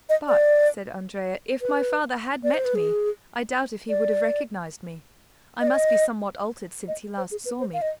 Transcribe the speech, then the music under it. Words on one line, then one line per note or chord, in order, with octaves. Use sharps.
"But," said Andrea, "if my father had met me, I doubt if he would have recognized me; I must be somewhat altered since he last saw me."
D#5
D5
B4
D5
C5
B4
G#4
D5
D#5
D5
D#5
D#5
C5
G#4
B4
C5
F5
D#5